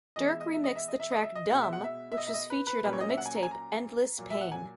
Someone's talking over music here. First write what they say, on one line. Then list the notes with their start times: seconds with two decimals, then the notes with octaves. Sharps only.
Durk remixed the track "Dum" which was featured on the mixtape "Endless Pain".
0.16 E3 G#3 B3 D#5
0.29 E5
0.40 D#5
0.52 E5
0.64 D#5
0.76 E5
0.88 D#5
1.00 E5
1.11 D#5
1.23 E5
1.35 D#5
1.50 B2 G#3 B3 F#5
1.62 E5
1.73 F#5
1.84 E5
2.12 E5
2.17 D#5
2.27 E5
2.34 D#5
2.50 B4
2.67 B4
2.84 A#2 F#3 A#3 C#4 B4
2.93 C#5
3.01 D#5
3.09 E5
3.17 F#5
3.26 G#5
3.35 A#5
3.43 G#5
3.51 A#5
4.18 A#2 F#3 A#3
4.30 E5
4.41 F#5
4.52 G#5